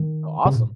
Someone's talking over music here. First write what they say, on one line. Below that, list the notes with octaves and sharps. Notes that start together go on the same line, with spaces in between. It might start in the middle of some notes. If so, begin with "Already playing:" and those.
Oh awesome.
Already playing: D#3
C#3
A#2